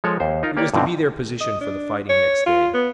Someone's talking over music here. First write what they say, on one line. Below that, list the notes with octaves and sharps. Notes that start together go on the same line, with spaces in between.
It was to be their position for the fighting next day.
F3 G#3 A4 C#5
D#2 C5
D#4 F4 A#4
A#3 G4 C#5 D5
G2 B2 D3 C4
D#5
D4
C#5
F4
B3